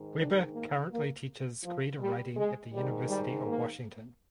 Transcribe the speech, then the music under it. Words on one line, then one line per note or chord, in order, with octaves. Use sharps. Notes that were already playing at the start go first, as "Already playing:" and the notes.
Webber currently teaches creative writing at the University of Washington.
Already playing: G#2 D#3
D4
A#3
A#3
F3
G3
G#3
G#2 D#3 G3
G3
A#3